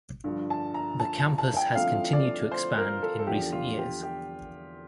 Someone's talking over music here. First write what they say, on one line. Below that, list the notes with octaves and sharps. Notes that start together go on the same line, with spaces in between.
The campus has continued to expand in recent years.
G2 D3 F3
A5
A#5
A5
A5
A5
G5
D3 F3 A3 C4 E4 F5
D5
C5
A#4
A4
A4
E2 D3 F3 G4
F4
G4
G4